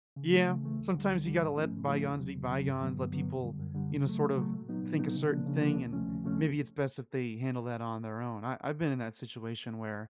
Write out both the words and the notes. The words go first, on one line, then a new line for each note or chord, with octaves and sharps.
Yeah. Sometimes you gotta let bygones be bygones, let people, you know, sort of think a certain thing, and maybe it's best if they handle that on their own. I I've been in that situation where,
C#3
E3 A3
C#3
E3 A3
D2
D3 G3
D2
D3 G3
G#2
F3 A3 C#4 E4
G#2
F3 A3 C#4 E4
E2
C#3 F#3
E2
C#3 F#3
G2
D3 F#3 B3
G2
D3 F#3 B3
F#2
D3 G3
F#2
D3 G3
C#3
F#3 A3
C#3
F#3 A3
A#2
F#3 B3 D#4
A#2
F#3 B3 D#4
C#3
F3 A#3 D4
C#3
F3 A#3 D4
D2
C3 F3 A3 C#4
D2
C3 F3 A3 C#4